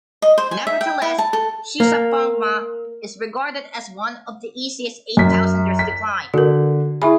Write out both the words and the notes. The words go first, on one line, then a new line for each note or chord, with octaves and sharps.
Nevertheless, Shishapangma is regarded as one of the easiest eight-thousanders to climb.
D#5
C5
G#5
E5
G5
E4
A5
A4
A#3
F#2 B6
B6
D3 F#4 A#4
E4 G#4 E5 B5